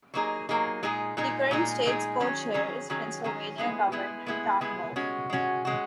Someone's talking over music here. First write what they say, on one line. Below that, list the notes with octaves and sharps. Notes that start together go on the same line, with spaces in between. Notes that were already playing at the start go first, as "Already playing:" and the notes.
The current States' Co-Chair is Pennsylvania Governor Tom Wolf.
F#3 A#3 D#4 G#4
F#3 A#3 D#4 G#4
A#2 G#3 D#4 G#4
A#2 G#3 D#4 G#4
A#2 G#3 D#4 G#4
A#2 G#3 D#4 G#4
D#3 F#3 C#4 G#4
D#3 F#3 C#4 G#4
D#3 F#3 C#4 G#4
D#3 F#3 C#4 G#4
G#3 B3 E4 G#4
G#3 B3 E4 G#4
G#3 B3 E4 G#4
G#3 B3 E4 G#4
G#3 C#4 F#4
G#3 C#4 F#4
G#3 C#4 F#4